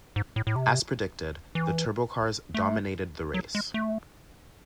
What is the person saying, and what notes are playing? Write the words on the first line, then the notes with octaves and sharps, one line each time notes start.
As predicted, the turbo cars dominated the race.
G#2
A2
A2
C3
E3
A3
F#3
G#3
A3